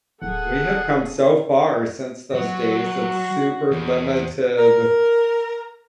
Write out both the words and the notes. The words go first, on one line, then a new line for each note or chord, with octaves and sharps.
We have come so far since those days of super limited
D1 G#4 A4 F#5
F#3 F#4
E2
A#4